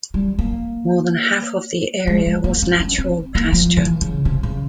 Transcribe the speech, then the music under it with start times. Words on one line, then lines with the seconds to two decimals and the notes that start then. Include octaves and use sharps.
More than half of the area was natural pasture.
0.14 G3
0.39 A#3
2.07 G#3
2.26 G#3
2.44 A#3
2.62 C4
2.80 C#4
2.99 C4
3.35 A#3
3.53 F3
3.77 E3
4.01 C#3
4.25 C3
4.43 C#3